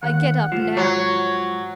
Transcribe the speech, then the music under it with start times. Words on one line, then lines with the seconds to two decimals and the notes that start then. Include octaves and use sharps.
I get up now!
0.03 D#2 F#5
0.52 G#2 F3
0.77 F#3 C#5